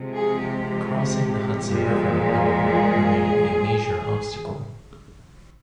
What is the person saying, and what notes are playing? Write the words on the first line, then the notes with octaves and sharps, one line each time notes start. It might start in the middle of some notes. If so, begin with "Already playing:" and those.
Crossing the Hudson River, however, remained a major obstacle.
Already playing: C3 F3 G#3
G#4
G4
A#2 F3 G#3
G#4